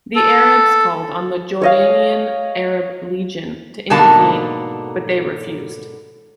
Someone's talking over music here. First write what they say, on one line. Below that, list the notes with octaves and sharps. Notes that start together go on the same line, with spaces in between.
The Arabs called on the Jordanian Arab Legion to intervene but they refused.
A4
C#5 D#5 F5
G#2 B2 D3 A#3 D#4 A5